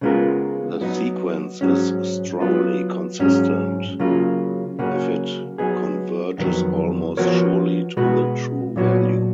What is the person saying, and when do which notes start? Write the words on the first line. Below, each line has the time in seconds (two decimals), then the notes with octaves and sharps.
The sequence is "strongly consistent", if it converges almost surely to the true value.
0.01 C#3 G#3 B3 F4 A#4
0.81 F#3 B3 D#4
1.61 G#2 F#3 C#4
2.40 F#3 B3 F4
3.19 G#2 F#3 C#4
4.00 C#3 F#3 A#3 F4
4.79 C#3 F#3 A#3 C#4 F#4
5.58 F#3 B3 D#4 G#4
6.38 F2 D#3 F#3 B3
7.17 F3 B3 F#4 A#4 C#5
7.97 B2 G#3 B3 F#4 B4
8.76 A#2 F#3 B3 F#4 C#5